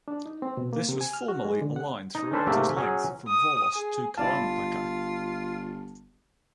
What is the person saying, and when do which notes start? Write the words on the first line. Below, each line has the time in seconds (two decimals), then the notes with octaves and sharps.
This was formerly a line throughout its length from Volos to Kalampaka.
0.08 D4
0.26 D#4
0.42 C4
0.57 B2
0.73 A#3
0.89 C3
1.01 G#5
1.13 F6
1.28 F#4
1.45 G#3
1.61 D3
1.76 F#5
2.15 D#4
2.33 C#4 D4 A4 B4 C5
2.47 G#2 C3 A3 A#3 G4 E5
2.77 F#3 C#4 G#4
3.28 D#6
3.74 G#4
4.18 G1 E4 F4 D5 F5 A5